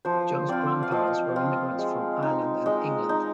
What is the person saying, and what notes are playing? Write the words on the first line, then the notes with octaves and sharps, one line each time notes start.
John's grandparents were immigrants from Ireland and England.
F3 C5
C4 F4 D5
F5
F3 D#5
C4 F4
G#3
D#4
G#3 D#5
D#4